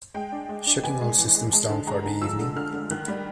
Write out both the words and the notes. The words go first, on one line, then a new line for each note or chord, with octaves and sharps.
Shutting all systems down for the evening.
G#3 G5
D4
G#3
D4
B3 G#5
G#3
E3
G#3
G#3 A5
D3
G#3 A#5
D3
F3 E6
D3
D3 F6
D3
D#3 F#6
G3